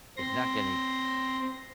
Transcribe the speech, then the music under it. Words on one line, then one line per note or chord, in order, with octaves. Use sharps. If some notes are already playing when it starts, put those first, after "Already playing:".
it's not gonna
C4 C6 A#6